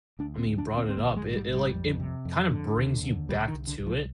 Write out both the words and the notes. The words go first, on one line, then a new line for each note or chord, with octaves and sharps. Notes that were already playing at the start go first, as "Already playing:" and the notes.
I mean, brought it up. It it like, it kinda brings you back to it,
D2 D4
C4
D2
D4
D3
C4
C4
A#1 A#3
G#3
G#2
G3
A#1
G3
F2
C3
F2
D3
D#2
D3
C2 G3
D#3
C2
D3
C2
F3